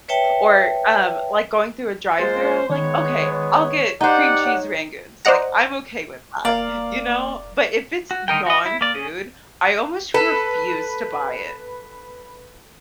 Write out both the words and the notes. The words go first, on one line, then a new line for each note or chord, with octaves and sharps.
or, um, like, going through a drive-through I'll be like, "Okay, I'll get cream cheese rangoons," like, "I'm okay with that," you know? But, if it's non-food, I almost refuse to buy it.
B4 C#5 E5 G5 A5
G#3 A#3 F4 G#4 C5 A6
D#3 G#3 B3 C#5
C#5
D#4 G4 C5 D5 F#5
C#5
C5 D5 D#5 F#5 A#5
F1 A#3 A#4 D5 F5
F#4
D3 D#3 D#4 A#4 G5
F#4 D#5
E4
A#3 D5
C#4 G#4
A4 B4